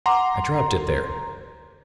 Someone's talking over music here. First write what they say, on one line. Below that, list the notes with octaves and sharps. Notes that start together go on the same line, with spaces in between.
"I dropped it there."
F#5 A#5 C6 D6